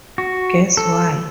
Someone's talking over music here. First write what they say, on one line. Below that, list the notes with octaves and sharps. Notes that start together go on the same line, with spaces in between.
Guess why.
F#4
A4